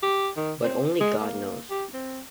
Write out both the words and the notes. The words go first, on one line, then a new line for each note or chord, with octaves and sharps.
But only God knows.
G4
D#3
C4
G#3
A#3
G4
C4